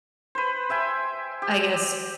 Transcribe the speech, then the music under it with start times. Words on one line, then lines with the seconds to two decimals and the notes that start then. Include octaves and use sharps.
I guess,
0.35 B4 C5
0.69 C5 E5 G5 G#5
1.42 G4